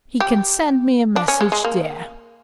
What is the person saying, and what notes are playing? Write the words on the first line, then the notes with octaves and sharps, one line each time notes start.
He can send me a message there.
G4
D4
C#4
G#3
G#3
A#3